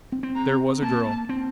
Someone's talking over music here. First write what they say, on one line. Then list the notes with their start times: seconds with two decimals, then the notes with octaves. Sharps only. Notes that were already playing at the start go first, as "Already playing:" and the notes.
There was a girl.
0.12 C4
0.23 C4
0.36 A#5
0.82 A#3 A5
1.29 C4